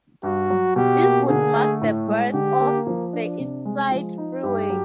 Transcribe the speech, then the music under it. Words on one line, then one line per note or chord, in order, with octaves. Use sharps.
This would mark the birth of the Eastside Freeway.
G2 F#4
F#3
B2 G4
A#3
D3 G#4
A3
A2
G#3
D3 G4
A#3
F3
D4
C3
G#3
F3
D#4
G2 G4
F#3